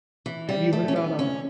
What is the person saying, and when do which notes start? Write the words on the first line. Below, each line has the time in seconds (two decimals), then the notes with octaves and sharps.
have you heard about a
0.26 E3
0.49 G3
0.73 A3
0.88 C#4
0.96 B3
1.19 C#4